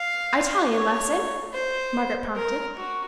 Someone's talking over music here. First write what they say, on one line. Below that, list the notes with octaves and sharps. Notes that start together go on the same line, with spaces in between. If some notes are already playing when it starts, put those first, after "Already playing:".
"Italian lesson," Margaret prompted.
Already playing: F5
C#5
C5
A#4
F#4